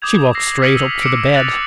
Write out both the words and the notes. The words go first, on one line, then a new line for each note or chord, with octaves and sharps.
She walked straight up to the bed.
D6 D#6 G6 G#6 F7
E6 A#6 C7
F6 B6 C#7 D#7 F#7
E6 C#7 F7 F#7
D6 F#6 C#7 D7
F#6 A6 A#6 F7 F#7